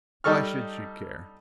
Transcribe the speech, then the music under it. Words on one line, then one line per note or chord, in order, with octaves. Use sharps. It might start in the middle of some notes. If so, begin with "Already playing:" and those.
Why should she care?
G3 D#4 A4 C#6 F6